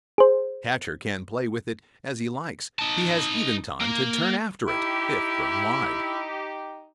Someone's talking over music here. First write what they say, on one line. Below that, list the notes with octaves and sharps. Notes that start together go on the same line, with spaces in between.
The catcher can play with it as he likes; he has even time to turn after it, if thrown wide.
G#4 C5
D#4 A5
A#3
D#4 E4 G4